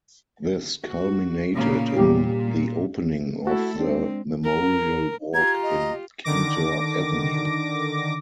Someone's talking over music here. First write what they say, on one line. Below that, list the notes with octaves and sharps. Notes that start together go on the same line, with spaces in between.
This culminated in the opening of the Memorial Walk in Kintore Avenue.
F#4
A#2 C#3 A#3
A#2 G3 G4
A3 E4 F#4 A4
G#3 C4 D4
A#4
F4 G4 A#5 G#6
D#5
D3 D#3 D6 A#6